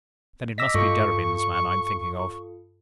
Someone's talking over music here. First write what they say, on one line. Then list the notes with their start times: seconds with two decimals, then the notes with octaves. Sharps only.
Then it must be Derebin's man I am thinking of.
0.58 D#5 D6 E6 A#6 B6
0.74 G2 F4 A4 C#6 C#7